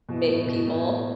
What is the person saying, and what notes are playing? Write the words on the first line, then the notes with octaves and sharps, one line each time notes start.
make people
B2
A2
B2
A2